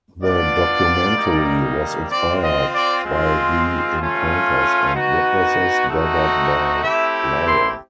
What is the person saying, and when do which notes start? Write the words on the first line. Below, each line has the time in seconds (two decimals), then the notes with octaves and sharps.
The documentary was inspired by the encounters and witnesses gathered by Iyer.
0.23 B3 D4 F4 D5
1.17 G3 A#3 D#4
2.11 C4 F4 D5
2.43 D#5
2.74 D5
3.05 G#3 C4 F4
3.99 A3 C#4 F4
4.95 B3 D#4 F#4
5.89 A3 C4 D#4 F#4
6.83 A3 C4 E4 G4 E5
7.46 C6